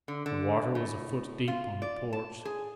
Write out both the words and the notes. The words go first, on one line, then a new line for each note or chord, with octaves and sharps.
The water was a foot deep on the porch.
D3
D3
A2
F4
D5
A5
G#4